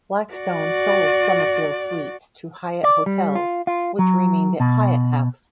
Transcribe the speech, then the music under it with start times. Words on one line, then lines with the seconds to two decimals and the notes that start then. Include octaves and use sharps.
Blackstone sold Summerfield Suites to Hyatt Hotels, which renamed it Hyatt House.
0.34 F#4 D5
2.83 D5
3.06 G3
3.35 F4
3.67 F4
3.99 F#3
4.60 B2